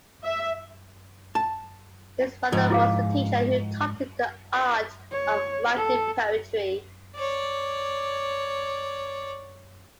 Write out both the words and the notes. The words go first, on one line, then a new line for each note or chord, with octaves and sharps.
His father was the teacher who taught him the art of writing poetry.
E5
A5
G#2 F3
E4 G#4 F5
C#5
A4
C#5 D5